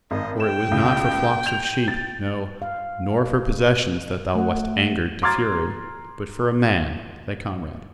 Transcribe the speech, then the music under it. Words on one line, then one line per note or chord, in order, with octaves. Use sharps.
For it was not for flocks of sheep, no, nor for possessions that thou wast angered to fury, but for a man, thy comrade.
G#1 D#5
G5 E7
C#2
G6 F7
A6
F5
A3 F#5
A#5 C6 D6 F6 G#6 A6